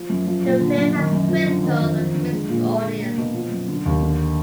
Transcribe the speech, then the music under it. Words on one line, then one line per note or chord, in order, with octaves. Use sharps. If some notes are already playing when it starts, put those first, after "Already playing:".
The film has a critical and mixed audience.
Already playing: F3
F#2
F3
A#2
D3
F#2
D#3
F#2
F3
D3
D#3
F2
F3
D3
G#3
A#2
G#3
D3
A#3
B2
F3
F#2
D3
D#2
D3